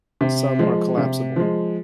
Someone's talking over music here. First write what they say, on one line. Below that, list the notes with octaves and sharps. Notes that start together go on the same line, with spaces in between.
Some are collapsible.
C3
F3 G#3
C3
F3 G#3